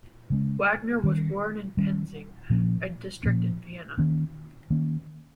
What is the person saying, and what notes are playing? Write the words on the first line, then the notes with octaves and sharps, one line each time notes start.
Wagner was born in Penzing, a district in Vienna.
C#3 G#3 C#4
D#3 G3 C#4
D#3 G3 C#4
A#2 F3 A#3 C#4
A#2 F3 A#3 C#4
D#3 A#3 C#4
D#3 A#3 C#4